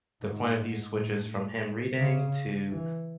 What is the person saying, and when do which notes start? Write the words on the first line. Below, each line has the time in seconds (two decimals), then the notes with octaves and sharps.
the point of view switches from him reading to
0.21 G#2
0.57 G#2
0.92 A2
1.99 C#3
2.71 E3